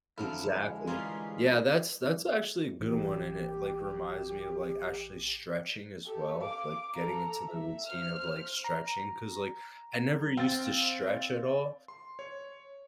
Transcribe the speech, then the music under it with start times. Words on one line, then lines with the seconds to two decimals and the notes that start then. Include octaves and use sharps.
Exactly, yeah, that's that's actually a good one and it, like, reminds me of, like, actually stretching as well, like getting into the routine of, like, stretching, 'cause, like, I never used to stretch at all,
0.18 F2 D3 F3 F#3 E4 F6
0.53 G#3
0.87 E3 G3 A#3 C#4 F4 G#4 C6
2.80 A1 G4
6.05 G4 A4
6.38 F5 D6
6.94 A4 A#5
7.47 E5
7.86 C5 F6
8.64 A#5
10.37 C4 F5 A6
11.88 C6
12.19 C#5